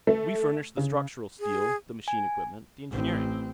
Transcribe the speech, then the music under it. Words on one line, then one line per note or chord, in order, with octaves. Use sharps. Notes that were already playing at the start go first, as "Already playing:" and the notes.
We furnish the structural steel, the machine-equipment, the engineering.
A3
C#3
G#4
G#5
A1 C4